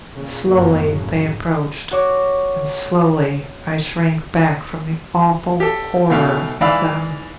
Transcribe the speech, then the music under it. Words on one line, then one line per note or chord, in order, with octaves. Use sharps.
Slowly they approached and slowly I shrank back from the awful horror of them.
A#2 C#3
F#1 G2 A#3 B3
A2 C#3 F#3
F#4 C#5 D6
G4 A4
C#2 B2 D#3 A3 F5
G#2 E3 D5 F5 B5 E6